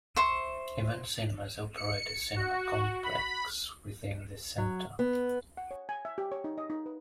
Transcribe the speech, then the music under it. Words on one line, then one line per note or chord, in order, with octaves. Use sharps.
Event Cinemas operate a cinema complex within the centre.
C5 E5 C#6
C#7
F#4
B5
F#3
B3
F#5
C#5
G#5
E5
G4
C#5
D#4
D#5
D#4
B4